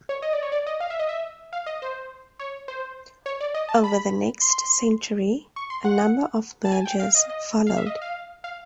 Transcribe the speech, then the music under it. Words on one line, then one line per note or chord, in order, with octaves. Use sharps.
Over the next century, a number of mergers followed.
C#5
D#5
D5
C#5
D5
D#5
F5
E5
D#5
E5
F5
D#5
C5
C#5
C5
C#5
D5
D#5
A5
B5
C6
C#6
C6
F#5
A5
G#5
G5
F5
D#5
D#5
F5
E5
D#5
F5
F5